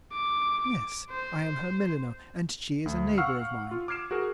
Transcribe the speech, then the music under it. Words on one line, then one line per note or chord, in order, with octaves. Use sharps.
"Yes, I am her milliner, and she is a neighbour of mine."
D6
C5
D2
F5 F#5 C#6 E6 F6 C7
F4
D6 F6 G#6 C7 D7 E7
F#4 G#4 A#4